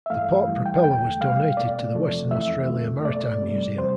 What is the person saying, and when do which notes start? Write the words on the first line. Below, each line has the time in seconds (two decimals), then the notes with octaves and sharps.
The port propeller was donated to the Western Australia Maritime Museum.
0.06 E5
0.10 G2 E3 A3 F5
0.47 F2 E3 G3
0.66 G5
0.84 E2 D3 A3 G5
1.20 B2 G3 F5
1.57 B2 A3 D5
1.94 F2 C3 F3 A3
2.31 F2 E3 A3 E5
2.68 F2 D3 F3 A3
3.05 B2 A3 D5
3.41 F2 C3 G3
3.78 C3 G3 C5